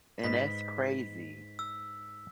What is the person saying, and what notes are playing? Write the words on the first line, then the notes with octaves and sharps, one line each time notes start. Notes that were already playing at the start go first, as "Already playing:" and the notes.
And that's crazy.
G#2 B4 D#5 B6
E6